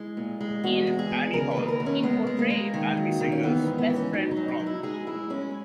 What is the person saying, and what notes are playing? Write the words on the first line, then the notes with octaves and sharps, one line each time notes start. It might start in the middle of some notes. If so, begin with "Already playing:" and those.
In "Annie Hall", he portrayed Alvy Singer's best friend Rob.
Already playing: G#3 E4
A#2
G#3
E2 F#4
G#3
G#4
E2
C#3 A#4
B4
D#2
A#4
D#2
C#4
G#3 B3
G#3
A#3
G#3
D#3
F#3
D#3
C#4
E3 B3
G#2
B3
E3
C#4
F#3 D#4
D#4
F#3
D#4
F#3
E4
G#3 G#4
G#3 E4
G#3 C#4